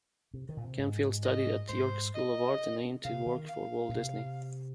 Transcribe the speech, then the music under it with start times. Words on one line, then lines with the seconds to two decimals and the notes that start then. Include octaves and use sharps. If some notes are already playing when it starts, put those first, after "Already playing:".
Camfield studied at York School of Art and aimed to work for Walt Disney.
0.34 C3
0.49 D#3
0.57 A#2
0.63 C3
0.79 G#2
1.24 D#5
1.69 G#2 C5
2.15 D#5
3.05 C3 F5
3.26 D#3
3.49 F5
3.89 A#2
3.95 C3